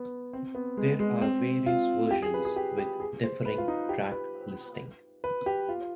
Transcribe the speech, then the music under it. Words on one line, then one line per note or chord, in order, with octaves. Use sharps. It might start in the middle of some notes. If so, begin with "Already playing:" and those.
There are various versions with differing track listing.
Already playing: B3
C4
B3
G#3
G#3
C4
F4
G4
G#4
B4
G#4
G4
G4
G#4
C5
B4
F4
D#4
G4
B4
B4
G4
F4